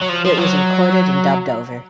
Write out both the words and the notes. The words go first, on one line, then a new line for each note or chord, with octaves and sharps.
It was recorded and dubbed over.
F#3
F3
F3
F#3